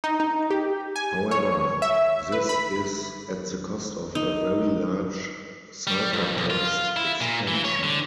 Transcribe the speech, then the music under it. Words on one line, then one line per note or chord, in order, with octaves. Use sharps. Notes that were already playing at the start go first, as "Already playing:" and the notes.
However, this is at the cost of a very large ciphertext expansion.
D#4
D#4
G4
G#5
C#5
E5
B4
B5
D#4
G3
F2
B1
F4
E4
A#2
E3
C#5
D3